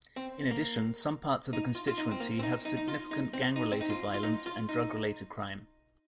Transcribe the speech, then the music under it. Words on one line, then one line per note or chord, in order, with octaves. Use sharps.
In addition, some parts of the constituency have significant gang-related violence and drug-related crime.
C4
A#3
D#4
F4
F4
D#4
C4
A#3
C4
D#4
D#4
D#4
F4
D#4
C4
D#4
C4
D#4
F4
F4
D#4
F4
D#4